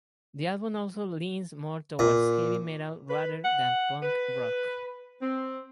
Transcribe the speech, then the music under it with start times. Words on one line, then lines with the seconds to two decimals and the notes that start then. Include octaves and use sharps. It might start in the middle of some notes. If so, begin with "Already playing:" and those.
The album also leans more towards heavy metal rather than punk rock.
1.99 A#2
3.09 B4
3.44 F#5
4.03 B4
5.22 C4